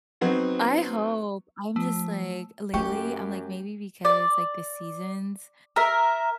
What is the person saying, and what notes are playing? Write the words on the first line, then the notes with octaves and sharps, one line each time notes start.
I hope. I'm just, like, lately, I'm like, maybe because, like, the seasons,
F#3 B3 C4 D#4
F3 A3
F#2 A3 G4 G5 C#6
D5
A#4 E5